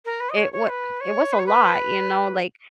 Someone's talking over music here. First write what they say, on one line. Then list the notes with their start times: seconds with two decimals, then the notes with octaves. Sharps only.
it wa it was a lot, you know, like,
0.05 A#4
0.19 B4
0.29 D#5
0.36 C#5
0.52 C#5
0.68 B4
1.00 C#5
1.32 B4
1.38 C#5
1.46 B4